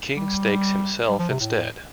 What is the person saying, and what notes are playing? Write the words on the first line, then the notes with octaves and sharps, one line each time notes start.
King stakes himself instead.
G3
G3
F3
C3
A2